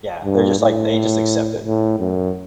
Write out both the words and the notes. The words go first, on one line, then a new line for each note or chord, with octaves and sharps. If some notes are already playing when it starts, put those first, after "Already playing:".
Yeah. They're just like they just accept it.
G2
A2
A2
F#2